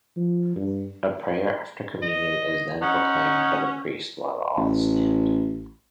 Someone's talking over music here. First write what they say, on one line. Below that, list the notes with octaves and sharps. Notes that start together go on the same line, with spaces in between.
A Prayer After Communion is then proclaimed by the priest while all stand.
F3
G2
D#5
C#4 D#4 F#5
A1